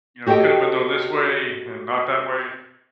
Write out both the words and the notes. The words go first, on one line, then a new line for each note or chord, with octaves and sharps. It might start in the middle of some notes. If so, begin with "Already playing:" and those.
you know, it could have been done this way, and not that way.
F#4 G4 A4 D#5 G5